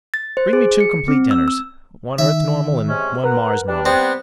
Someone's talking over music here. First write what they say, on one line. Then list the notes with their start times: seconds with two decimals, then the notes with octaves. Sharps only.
"Bring me two complete dinners--one Earth-normal and one Mars-normal."
0.14 A6
0.37 C5
0.53 G#4
0.80 C#7
1.08 C4
1.31 E6
1.48 E6
2.18 D#3 E5
2.88 C3 G#3 C#4
3.24 A#4 B4 F#5
3.67 G3 D4
3.86 G3 B3 C4